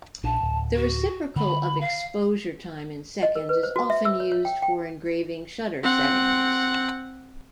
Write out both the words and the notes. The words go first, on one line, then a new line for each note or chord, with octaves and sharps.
The reciprocal of exposure time in seconds is often used for engraving shutter settings.
A#1 D4 A5
D1
F#4
D3 B5
F5
D#5
A#4
B4
C5
F#4
E5
E6
C#5
C#5
G5
G5
C4 F#5